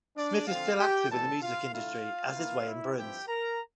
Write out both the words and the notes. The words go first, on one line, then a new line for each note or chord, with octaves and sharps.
Smith is still active in the music industry, as is Wayne Bruns.
D4 D5
D3 F3 C4 F4 F5
G4 G5
A2 E3 G3 A4 A5
F4 F5
D3 A3 E4 F4 F5
E3 A#3 E4
E4 E5
G2 F3 C4 E4 G4 G5
A#4 A#5